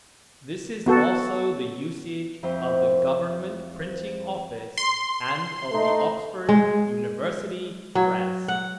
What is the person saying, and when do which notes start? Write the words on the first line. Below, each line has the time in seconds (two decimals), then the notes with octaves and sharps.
This is also the usage of the Government Printing Office and of the Oxford University Press.
0.86 B3 F#4 A4
2.43 F2 F3 E4 C5
4.78 C6
5.72 A3 D#4
6.49 G#3
7.95 F#3
8.48 F#5